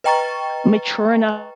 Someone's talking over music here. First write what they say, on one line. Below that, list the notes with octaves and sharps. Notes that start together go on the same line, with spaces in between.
mature enough
B4 D#5 G5 A#5 C#6 A6